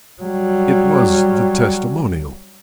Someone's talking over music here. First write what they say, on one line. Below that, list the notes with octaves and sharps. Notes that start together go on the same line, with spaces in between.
It was the testimonial.
F#3 G3